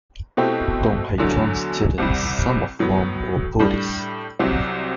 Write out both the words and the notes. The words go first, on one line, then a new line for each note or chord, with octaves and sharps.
Dong Haichuan's students, some of whom were Buddhist.
B2 A3 C4 E4 G4
E2 D3 F#3 A3
C2 C3 G3
A2 F#3 B3
A2 G3 D4
C2 C3 F#3 C4